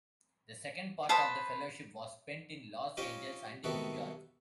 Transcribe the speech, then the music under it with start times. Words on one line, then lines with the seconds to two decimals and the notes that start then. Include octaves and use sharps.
The second part of the Fellowship was spent in Los Angeles and New York.
1.09 B4 C5 A5 D#6
2.97 C#4 D#4 F4 G4 C5 D#5
3.64 C3 D#3 B3 F#4 A4